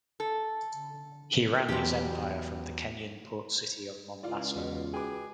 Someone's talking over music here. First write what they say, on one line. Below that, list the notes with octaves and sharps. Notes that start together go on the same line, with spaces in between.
He ran his empire from the Kenyan port city of Mombasa.
A4
E2 G#2 F#3 B3 G4
C#2 E4 F4 D5
E2 B2
F#4 G#4 B4 G5 D6